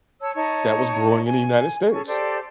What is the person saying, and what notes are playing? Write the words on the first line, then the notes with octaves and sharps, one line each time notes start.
that was brewing in the United States.
C#5 A5 E6
D#4 C#5 A5 C#6
G#5
C#4 G#4 A4 C#6
G4 A4 C5 D5